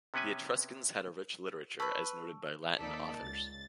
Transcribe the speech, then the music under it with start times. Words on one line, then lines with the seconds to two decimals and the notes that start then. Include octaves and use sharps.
The Etruscans had a rich literature, as noted by Latin authors.
0.14 C3 B3 C#4 B4 G#5
1.80 B4 A5 B5 C#6 E6
2.77 D#2 A#3 D#4 A4 D5 B6
3.18 C#2 A6